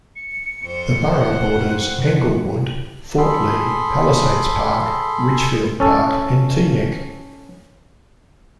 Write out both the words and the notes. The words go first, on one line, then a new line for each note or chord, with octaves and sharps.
The borough borders Englewood, Fort Lee, Palisades Park, Ridgefield Park and Teaneck.
C#7
F2 C5
F#5
C3 D#3 F3
G#4 A4 B5 C6
C#4 A4